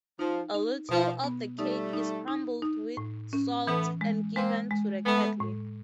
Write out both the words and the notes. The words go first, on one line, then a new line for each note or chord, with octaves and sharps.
A little of the cake is crumbled with salt and given to the cattle.
F3 D#4
D#4
B2 F3
B3
G3 A3 D#4
D#4
D#4
D#4
A2
C#4
E3 A3 B3
G#3
G#3 A#3 C4
G#3
G#3 A3 B3
A2